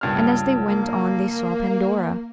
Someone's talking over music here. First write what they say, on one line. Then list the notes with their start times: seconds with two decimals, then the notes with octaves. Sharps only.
And as they went on they saw Pandora.
0.01 C#2 G2 F6
0.68 A#3